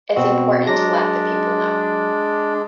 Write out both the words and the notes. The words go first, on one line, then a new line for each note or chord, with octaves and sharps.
It's important to let the people know.
B2 C4 F#4
F#3 G#3 D4 A#6